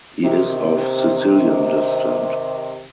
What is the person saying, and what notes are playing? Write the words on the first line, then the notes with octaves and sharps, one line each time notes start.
He is of Sicilian descent.
C3 D#3